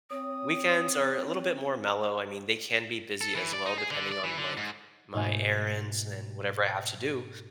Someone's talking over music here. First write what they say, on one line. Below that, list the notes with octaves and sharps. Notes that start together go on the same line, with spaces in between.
Weekends are a little bit more mellow, I mean, they can be busy as well depending on, like, my errands and whatever I have to do.
C4 C#5 D#6
A4
E3
D5
D#4
G#4
D3
D5
E3
D3
G#2
G#2 B2 A3 G#5 G6